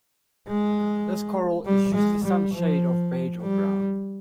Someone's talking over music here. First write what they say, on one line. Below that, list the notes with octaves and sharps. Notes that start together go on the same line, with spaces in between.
This coral is usually some shade of beige or brown.
G#3
G3
G#3
G3
F3
G3